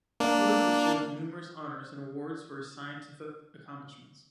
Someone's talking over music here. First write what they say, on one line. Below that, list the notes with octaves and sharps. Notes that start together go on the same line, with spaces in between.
Ho has received numerous honors and awards for his scientific accomplishments.
A#3 D4